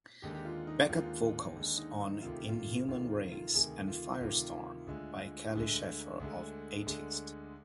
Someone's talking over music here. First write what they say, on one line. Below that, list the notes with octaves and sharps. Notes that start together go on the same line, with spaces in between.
Back-up vocals on "Inhuman Race" and "Firestorm" by Kelly Schaefer of Atheist.
D#2 D3 G#3 G4
G4
F4
D#4
D#2 D3 G#3 F4
D#2 D3 G#3
D#4
D#4
D2 C3 D#3 F4
G4
F4
D2 C3 D#3 F4
F4
F4
D2 C3 D#3 G#4
F4
D2 C3 D#3 F4
D2 D3 G#3
D2 D3 G#3
D2 D3 G#3
D2 D3 G#3